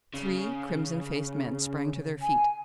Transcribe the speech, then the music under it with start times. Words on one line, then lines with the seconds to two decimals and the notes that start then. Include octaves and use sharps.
Three crimson-faced men sprang to their feet.
0.14 C#3
2.22 G#5